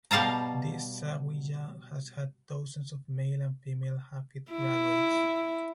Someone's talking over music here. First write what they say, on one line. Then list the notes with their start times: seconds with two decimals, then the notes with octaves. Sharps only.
This zawiya has had dozens of male and female Hafiz graduates.
0.11 B2 G3 F5 A5 A#5
4.52 E4